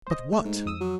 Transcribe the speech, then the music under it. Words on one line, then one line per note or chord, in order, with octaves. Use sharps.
But what?
C5 D#5
A3
G#2
F2 D#6 E6
F#3